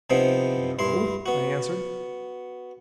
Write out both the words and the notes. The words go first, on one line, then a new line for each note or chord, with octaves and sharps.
"No," I answered.
C3 F3 B3 C4 D#4 E4
G2 E4 C6
B3 F#4